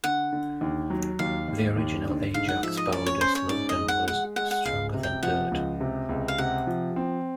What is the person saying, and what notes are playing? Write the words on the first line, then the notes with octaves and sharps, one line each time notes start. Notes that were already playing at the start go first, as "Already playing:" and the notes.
The original Ajax powder slogan was Stronger than dirt!
D3 F#5
D3
D#2
F#3
D#2 F5
D#2
D#2
D3
G#2 F5
F#5
F3 E5
D#5
C#4 D5
C#5
C#4 C5
C#5
G#2 D5
D#5
G#3
F#5
G#3 F#5
G#3 F#5
F#5
C#2 F5
C3
G5
F3 F#5
C#2
C3
C#2
F5
C3 F#5
F3
C4